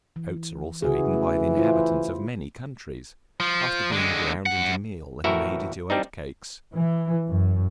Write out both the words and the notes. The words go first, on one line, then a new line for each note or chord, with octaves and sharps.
Oats are also eaten by the inhabitants of many countries, after being ground into meal and made into oat cakes.
E3
C#3 E3 F#4 G#4
A3
E4 F4 C5
F3
D3 G#3
F#2 F#5
A1 E4 F#4 A4 A#4 E5
G3 C4 D4 D#4
E3
F#2